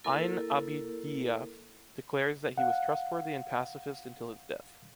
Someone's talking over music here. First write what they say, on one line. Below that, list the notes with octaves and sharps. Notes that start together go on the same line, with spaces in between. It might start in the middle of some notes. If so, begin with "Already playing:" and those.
Ibn Abi Dhiaf declares that he was trustworthy and pacifist until his death.
A#3 E4 A4 A#4
F5 F#5